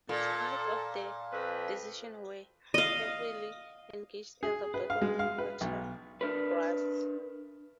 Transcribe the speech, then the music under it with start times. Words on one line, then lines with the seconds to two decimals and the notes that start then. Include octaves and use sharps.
Parts of the division were heavily engaged at the Battle of Quatre Bras.
0.09 A#2 A4
1.32 F2 B4
2.74 D#5 F5
4.43 G#4
4.74 B4
4.90 F5
5.02 G#3
5.19 F5
5.38 B4
5.61 B1
6.21 D4 A#4 B4